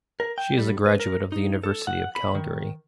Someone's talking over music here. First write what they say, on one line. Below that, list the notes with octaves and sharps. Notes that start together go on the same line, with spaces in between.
She is a graduate of the University of Calgary.
A#4
G5
G3
B4
A#4
D#4
A4
F#5
B5
D#3